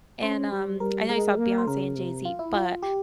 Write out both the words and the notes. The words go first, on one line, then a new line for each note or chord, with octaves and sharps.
And, um, I know you saw Beyoncé and Jay-Z, but
C#4 C5
G3
G3 A#4
G#3 A#4
A#3
C5
C#3 A#4
C3
F4
E4
F4
G4